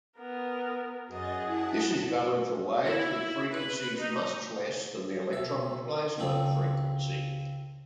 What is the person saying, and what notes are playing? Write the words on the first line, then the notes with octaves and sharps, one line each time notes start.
This is valid for waves with frequencies much less than the electron plasma frequency.
B3 A#4
F#2 F#4 G#4 D#5 A6
E4 F#5 A5
E4
B4
D#4
B1 E5
C#2 C#3 C4 A4